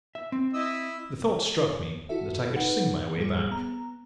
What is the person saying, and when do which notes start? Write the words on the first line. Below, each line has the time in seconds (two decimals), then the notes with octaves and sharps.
The thought struck me that I could sing my way back.
0.15 E5
0.32 C4
0.53 E4 D#5 E6
2.09 E4 F#4 A4 E5
2.54 D#4 B4 F#5
3.18 A2 G3 G#4
3.51 B3 A#5